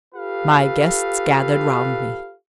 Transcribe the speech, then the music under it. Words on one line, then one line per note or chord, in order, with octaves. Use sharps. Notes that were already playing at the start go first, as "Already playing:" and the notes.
My guests gathered round me.
F4 G4 A4 B4 F5